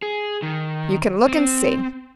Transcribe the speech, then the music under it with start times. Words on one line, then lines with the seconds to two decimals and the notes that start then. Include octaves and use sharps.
"You can look and see."
0.02 G#4
0.42 D#3
1.28 C4